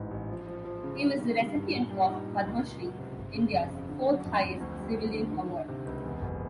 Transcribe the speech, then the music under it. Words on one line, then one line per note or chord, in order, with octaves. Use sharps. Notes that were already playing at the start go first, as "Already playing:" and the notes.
He was the recipient of Padma Shri, India's fourth highest civilian award.
Already playing: A1 G#2 E3
A1
F3
F3
F3
C#3
G3
D#3
G3
G2
A#2
G3
D#4
A#2
C#2
C#2
F#3
C3
G1
C#3
F2
C#3
D3
F#3
F2
F2
D2
G3
G3
D3
D#3
D#3
C3
C#2
E2
F#1